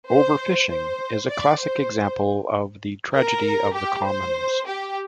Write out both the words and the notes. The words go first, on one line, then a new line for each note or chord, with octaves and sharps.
Overfishing is a classic example of the tragedy of the commons.
C5
C5
D5
C5
A#4
G4
C5
G4